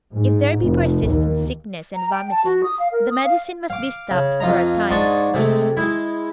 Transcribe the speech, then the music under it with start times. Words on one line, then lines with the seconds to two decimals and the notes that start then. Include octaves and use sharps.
If there be persistent sickness and vomiting, the medicine must be stopped for a time.
0.13 G#2
0.62 F1
1.04 D#2
1.95 A#5
2.11 G5
2.31 A5
2.44 F#4
2.64 D#6
2.79 F5
2.92 A#4
3.10 D#6
3.24 F5
3.70 F5 D6
4.11 C#3
4.40 F2 F4 D#5 A#5
4.91 G#2 D4 D#5 A5 C6 C#6
5.34 C3 G#3 A3
5.77 G#3 E4